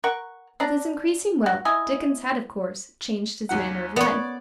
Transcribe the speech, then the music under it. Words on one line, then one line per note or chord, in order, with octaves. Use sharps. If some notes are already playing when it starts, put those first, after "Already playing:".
With his increasing wealth, Dickens had, of course, changed his manner of life.
A#4 F#5 C#6
D4 D5 A#5
F#4
E4 D#5 G#5
D#2 F#3 F#5
B3 C#5 D5